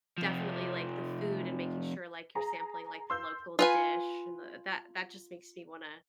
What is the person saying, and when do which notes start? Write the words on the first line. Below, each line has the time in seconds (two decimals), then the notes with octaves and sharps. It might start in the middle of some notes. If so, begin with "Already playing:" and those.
definitely, like, the food and making sure, like, you're sampling, like, the local dish, and the that that just makes me wanna
0.18 C3 F3
2.35 G#4 A#5
3.10 C6 E6 G6
3.59 F4 B4 G#5